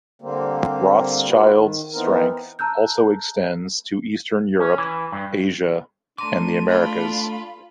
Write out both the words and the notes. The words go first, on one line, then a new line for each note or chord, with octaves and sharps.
Rothschild's strength also extends to Eastern Europe, Asia and the Americas.
D3 G3 A#3 C4
A#3 C4 F4 F#4 B4
D#3
E3 B3 C4 D#4 A#4
A5 A#5 E6 F#6 G6
C#4
E3
G2
A3 D4 A#5 C6 D6 D#7
F4 B5